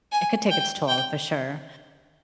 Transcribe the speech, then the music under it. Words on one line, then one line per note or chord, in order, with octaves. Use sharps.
it could take its toll for sure.
G#5
G5
G5